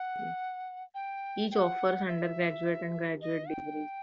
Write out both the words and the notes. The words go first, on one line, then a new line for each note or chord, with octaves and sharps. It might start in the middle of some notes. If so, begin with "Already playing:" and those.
Each offers undergraduate and graduate degrees.
Already playing: F#5
G5
G5
F#5
E5
D#5
G5